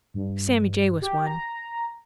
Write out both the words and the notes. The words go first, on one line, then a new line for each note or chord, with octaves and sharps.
Sammy Jay was one.
G2
G4
A#5